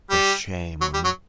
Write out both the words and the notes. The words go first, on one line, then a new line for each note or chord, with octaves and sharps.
For shame on you!
G3
F#3
G3
F#3